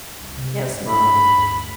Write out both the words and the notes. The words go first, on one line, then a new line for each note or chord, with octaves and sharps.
'Yes, mother.
C2
C3
G2
B5
D2